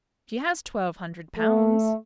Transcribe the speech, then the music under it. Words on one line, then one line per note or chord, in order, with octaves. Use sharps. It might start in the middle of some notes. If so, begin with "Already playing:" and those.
"She has twelve hundred pounds."
A3